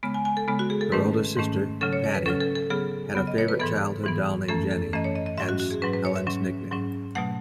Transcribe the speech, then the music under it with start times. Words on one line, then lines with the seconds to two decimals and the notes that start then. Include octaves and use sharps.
Her older sister, Pattie, had a favourite childhood doll named Jenny, hence Helen's nickname.
0.03 C#3 G#3 B3
0.14 G#5
0.25 G#5
0.37 A4
0.48 C#3 G#3 B3
0.59 F#4
0.70 G#4
0.81 A4
0.92 G#2 D#3 A3 C#4 B4
1.37 G#2 D#3 A3 C#4
1.81 C#3 F#3 C#4 A4
1.93 C#5
2.04 C#5
2.15 B4
2.26 C#3 F#3 C#4 A4
2.41 A4
2.55 A4
2.70 C#3 F#3 B3 G#4
3.15 C#3 F#3 B3
3.27 D#5
3.38 C#5
3.48 B4
3.60 G#2 E3 B3 A4
4.04 G#2 E3 B3
4.48 F#2 E3 A3 C#4 A4
4.71 A4
4.93 F#2 E3 A3 C#4 D#5
5.04 C#5
5.15 D#5
5.26 D#5
5.38 G#2 F#3 C#4 E5
5.49 F#4
5.60 F#4
5.71 G#4
5.82 G#2 F#3 C#4 B4
5.93 B4
6.05 C#5
6.16 E5
6.27 G#2 F#3 C#4
6.71 G#2 F#3 C#4
7.15 B2 F#3 A3 F#5